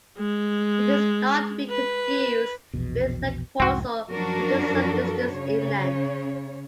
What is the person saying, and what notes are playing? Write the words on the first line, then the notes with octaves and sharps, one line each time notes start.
It is not to be confused with Lake Poso, which is some distance inland.
G#3
B4
A#1 E2 B2
C2 F2 G#2 C4 F#4
F#2 F3 D4 F#4 A#4
C#3 C#5